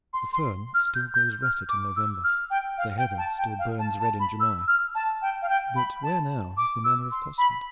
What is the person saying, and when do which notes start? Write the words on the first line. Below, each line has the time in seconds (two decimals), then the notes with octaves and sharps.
The fern still glows russet in November, the heather still burns red in July; but where now is the Manor of Cosford?
0.13 C6
0.33 C6
0.74 F6
0.95 G6
1.14 G6
1.42 F6
1.69 D6
1.97 E6
2.24 F6
2.50 G5
2.78 F5
2.98 G5
3.18 A5
3.38 G5
3.59 F5
3.79 A5
4.00 A5
4.20 B5
4.40 E6
4.68 F6
4.95 A5
5.22 G5
5.42 F5
5.49 G5
5.76 B5
6.03 A5
6.57 D6
6.84 E6
7.11 C6
7.38 B5